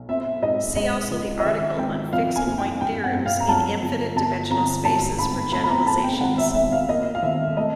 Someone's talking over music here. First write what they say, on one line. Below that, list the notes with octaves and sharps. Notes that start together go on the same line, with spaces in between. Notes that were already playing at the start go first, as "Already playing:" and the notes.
See also the article on fixed point theorems in infinite-dimensional spaces for generalizations.
Already playing: B1
C4 E5
G#2 D#5
G#3 D#5
C#2
D#5
G#1 E5
G#1 G5
F3 F5
G#5
F#1
G5
G2 G5
F#5
G2
F5
A#5
F#3 A5
G1
G1 A5
G1 A#5
G#2 A5
G#2 B5
A3 B5
B5
A#5
E2 A5
G5
G#1 F#5
E5
G#1 E5
F5
A#3 D#5
F5
D#2 E5
A3 D#5